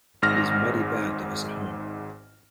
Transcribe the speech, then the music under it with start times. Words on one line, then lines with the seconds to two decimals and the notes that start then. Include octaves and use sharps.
He's mighty bad to visit home.
0.22 G#1 G#2 F6 A#6